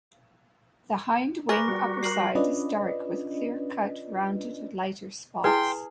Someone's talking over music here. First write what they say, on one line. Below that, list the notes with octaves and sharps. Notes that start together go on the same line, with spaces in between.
The hindwing upperside is dark with clear cut rounded lighter spots.
G#4 A#4 B4 D5 C#6 A#6
G3 F#4
A#4 C5 C7 F#7
C#4 D4 F4 B4 D5 D#5
E4 G#4 B4 G5 C6